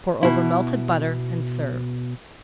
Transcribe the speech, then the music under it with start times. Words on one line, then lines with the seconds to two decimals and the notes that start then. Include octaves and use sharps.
Pour over melted butter and serve.
0.23 B2 E4